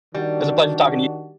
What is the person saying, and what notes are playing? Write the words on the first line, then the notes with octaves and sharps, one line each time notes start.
It's a pleasure talking to you
D#3 G3 D4 F#4